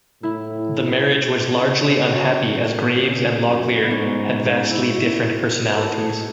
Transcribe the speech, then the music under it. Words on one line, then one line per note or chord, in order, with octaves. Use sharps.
The marriage was largely unhappy as Graves and Locklear had vastly different personalities.
A2 E4
C#3
F#4
C#3
F#2
B3
G#2 C#4
E4
F#4
B4
A2 A4
G#4